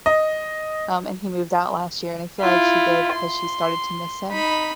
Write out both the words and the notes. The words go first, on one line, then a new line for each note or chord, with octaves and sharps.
um, and he moved out last year, and I feel like she did 'cause she started to miss him,
D#5
E4 F4
C6
D#4 B5